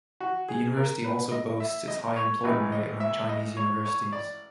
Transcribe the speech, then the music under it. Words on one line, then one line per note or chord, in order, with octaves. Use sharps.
The university also boasts its high employment rate among Chinese universities.
F#4
G#4
A#4
B4
D#5
E5
D#5
C#5
A1 A2 E3 G#3 B4
D#5
E5
D#5
C#5
C#5
D5